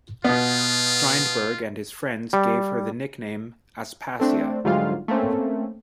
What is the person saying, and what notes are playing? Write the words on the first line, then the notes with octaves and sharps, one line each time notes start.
Strindberg and his friends gave her the nickname 'Aspasia'.
B2 B3 F4
G3
A3 C4 D4
D2 G#2 F#3 G3 F4 F5
A3 A#3 C4 C#4